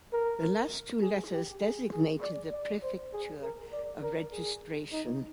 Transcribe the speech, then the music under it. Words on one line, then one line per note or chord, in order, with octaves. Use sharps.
The last two letters designated the prefecture of registration.
A#4
G#4
G4
G#4
G#4
D5
D5
C5
G#4
A#4
D5
A#4
G#4
D#4